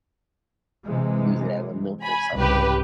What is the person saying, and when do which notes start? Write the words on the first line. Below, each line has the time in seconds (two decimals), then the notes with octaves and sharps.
use it as a nook or something.
0.86 C3 E3 G#3
2.03 G#5 B5
2.36 C2 G#2 C#3 G4 B4